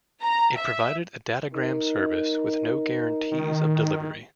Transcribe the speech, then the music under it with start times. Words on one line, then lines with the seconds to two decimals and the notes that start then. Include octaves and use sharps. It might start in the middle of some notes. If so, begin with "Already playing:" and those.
It provided a datagram service with no guarantees of delivery.
0.22 A#5
0.57 E5
1.54 D#4 A#4
3.31 D#3